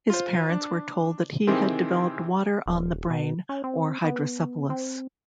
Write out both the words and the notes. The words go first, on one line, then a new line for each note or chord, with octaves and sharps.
His parents were told that he had developed "water on the brain" or hydrocephalus.
F4 C5
D4
C3 D#3 E3 C4 G4 G#4
D#1
B2
C#4
C4
B3
C4